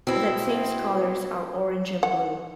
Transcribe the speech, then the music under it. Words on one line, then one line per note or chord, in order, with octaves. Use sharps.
The team's colors are orange and blue.
B2 C4 E4
F#5